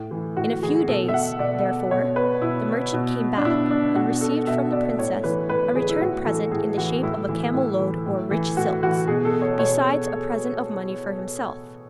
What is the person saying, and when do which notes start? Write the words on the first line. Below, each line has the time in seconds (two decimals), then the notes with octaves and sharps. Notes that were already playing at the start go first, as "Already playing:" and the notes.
In a few days, therefore, the merchant came back, and received from the princess a return present in the shape of a camel-load or rich silks, besides a present of money for himself.
Already playing: A2
0.11 E3
0.37 A2 F#4
0.63 E3 G#4
0.88 B2 A4
1.08 E5
1.14 F#5
1.39 B2 D5
1.91 B2 C#5
2.16 B4
2.42 B2 E4
2.94 B2
3.37 D4
3.45 B2 E4
3.71 D4
3.95 B2 F#4
4.21 A4
4.47 B2 E5
4.72 D5
4.99 A2 C#5
5.24 E3 B4
5.49 A2 B4
5.75 E3 G#4
5.89 E4
6.01 A2 F#4
6.26 E3 A4
6.51 A2 G#4
6.78 E3 F#4
7.03 A2 E4
7.29 E3
7.54 A2
7.80 E3
8.06 A2
8.31 E3
8.57 A2 F#4
8.83 E3 F#4
9.07 B2 G#4
9.25 A4
9.42 C#5
9.59 B2 C#5